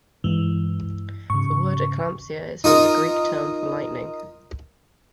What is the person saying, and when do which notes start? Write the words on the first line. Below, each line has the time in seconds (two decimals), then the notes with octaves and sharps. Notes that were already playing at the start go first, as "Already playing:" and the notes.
The word eclampsia is from the Greek term for lightning.
0.24 G2 E3 G#3
1.30 G#2 C#3 C#6
2.64 D#4 F4 A#4